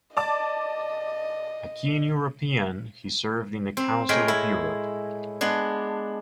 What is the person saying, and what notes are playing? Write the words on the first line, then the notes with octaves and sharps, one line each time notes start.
A keen European, he served in the Council of Europe.
D5 D#5 A5 D6
C4
A2 G#3 A#4 G5 B5
E4
G#3 B3 D4